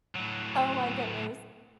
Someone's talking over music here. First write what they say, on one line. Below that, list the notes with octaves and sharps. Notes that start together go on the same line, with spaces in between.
oh my goodness.
A2 F#3